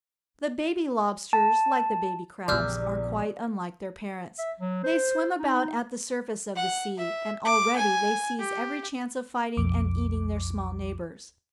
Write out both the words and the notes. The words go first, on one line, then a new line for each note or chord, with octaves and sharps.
The baby Lobsters, like the baby Crabs, are quite unlike their parents. They swim about at the surface of the sea, and already they seize every chance of fighting and eating their small neighbours.
A5
A#1 E2 C#3 G3 D5 E6 F6 G6
E5
F#3
C5
D#4
F#5
E5
D6
G#5
G4
B1 F2 D6